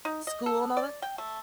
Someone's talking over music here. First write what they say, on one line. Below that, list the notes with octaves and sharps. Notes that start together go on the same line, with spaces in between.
school and all that
D#4
D#5
A4
D5
G5
A3